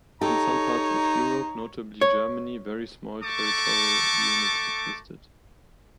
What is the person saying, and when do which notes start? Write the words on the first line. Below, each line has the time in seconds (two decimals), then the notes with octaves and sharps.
In some parts of Europe, notably Germany, very small territorial units existed.
0.21 D#4 G4 A4 C#5 A#5
2.01 C#5
3.23 A3 A4 A5 A#5 C#6 D6